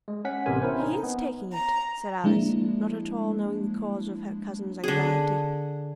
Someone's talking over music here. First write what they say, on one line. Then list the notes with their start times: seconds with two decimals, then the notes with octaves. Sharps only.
"He is taking it," said Alice, not at all knowing the cause of her cousin's anxiety.
0.08 G#3
0.25 C#4 F#5 B6
0.46 A1 C3 B3 A#4 G#5
0.62 C4 C#4 E4 A#4 C5
0.80 D#4
1.03 B3
1.53 A#5
2.24 F3 G#3 A#3 D4 E4
4.84 D3 G#4